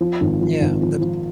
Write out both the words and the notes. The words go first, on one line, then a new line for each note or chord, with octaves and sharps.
Yeah. The b
F3
G#1
F3
G#1
F3
F3